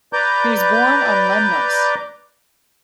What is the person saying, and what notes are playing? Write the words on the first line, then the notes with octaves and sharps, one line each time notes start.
He was born on Lemnos.
B4 D5 A#5 D6 G6